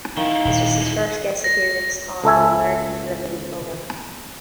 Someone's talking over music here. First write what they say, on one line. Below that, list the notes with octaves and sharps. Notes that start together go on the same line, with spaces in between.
This was his first guest appearance on an American television programme.
D#3 F3 E4 F5
D#1
A#6
C#2 A4 E5 G#5